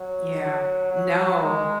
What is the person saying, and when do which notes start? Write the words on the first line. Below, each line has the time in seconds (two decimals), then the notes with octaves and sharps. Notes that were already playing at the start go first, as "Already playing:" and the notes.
Yeah. No.
Already playing: F#3
0.42 F#3
0.93 F#3
1.43 G#3